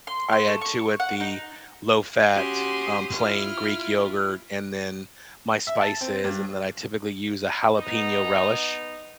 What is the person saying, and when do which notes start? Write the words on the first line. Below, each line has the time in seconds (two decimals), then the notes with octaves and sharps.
I add to it the low-fat, um, plain Greek yogurt and then my spices, and then I typically use a jalapeño relish,
0.07 C6
0.32 C6
0.48 A3
0.61 C#6
1.00 F#5
1.20 D#4
2.34 C#4 F#4 G4 C6 D#6
3.17 E4 F4 F6
5.67 E5
5.81 A5
6.01 C4
6.24 G2
7.76 B3 D#4